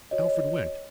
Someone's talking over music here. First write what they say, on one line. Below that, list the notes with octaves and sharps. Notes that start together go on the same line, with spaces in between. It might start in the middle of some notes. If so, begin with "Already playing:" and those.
Alfred went.
F#4 C#5 D#5